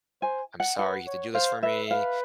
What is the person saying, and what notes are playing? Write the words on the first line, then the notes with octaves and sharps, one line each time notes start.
"I'm sorry you have to do this for me."
C5 G#5
F#5
B4 F#5
C#5
C5 F5
B4 E5
B4 F5